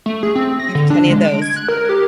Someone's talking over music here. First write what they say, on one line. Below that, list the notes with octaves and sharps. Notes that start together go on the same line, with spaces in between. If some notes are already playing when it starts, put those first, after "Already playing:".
I have plenty of those.
A3
G#4
C4
A#6
D3
D4
G#3
D7
G#6
F#6
A#4
G4